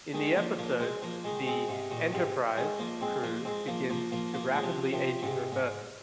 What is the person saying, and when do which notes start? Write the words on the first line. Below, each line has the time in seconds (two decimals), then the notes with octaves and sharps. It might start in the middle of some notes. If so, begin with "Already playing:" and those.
In the episode, the "Enterprise" crew begins to rapidly age in reverse.
0.14 D#3 G#3
0.36 F3 A#3
0.58 F3 A#3
0.80 G#3 C4
1.02 F3 A#3
1.24 D#3 G#3
1.47 G#3 C4
1.68 G#2 C3
1.91 A#2 D#3
2.13 G#2 C3
2.57 D#3 G#3
2.79 F3 A#3
3.01 G#3 C4
3.23 F3 A#3
3.45 G#3 C4
3.68 F3 A#3
3.90 F3 A#3
4.12 F3 A#3
4.34 F3 A#3
4.54 G#3
4.63 C3 F3
4.93 C3 F3
5.22 G#2 C3
5.52 G#2